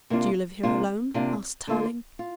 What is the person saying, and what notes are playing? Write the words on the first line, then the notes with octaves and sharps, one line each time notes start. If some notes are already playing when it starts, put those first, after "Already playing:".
"Do you live here alone?" asked Tarling.
C3 A#3 D4 F4
C3 A#3 D4 F4
C3 A#3 D4 F4
D3 A#3 F4
F4